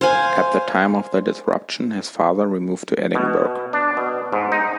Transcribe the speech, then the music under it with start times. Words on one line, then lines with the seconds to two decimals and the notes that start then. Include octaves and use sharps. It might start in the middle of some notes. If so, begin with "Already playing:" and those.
At the time of the disruption his father removed to Edinburgh.
0.01 C5 F5 G#5
3.15 B2
3.73 D4
3.97 B2
4.32 G#2
4.52 D#4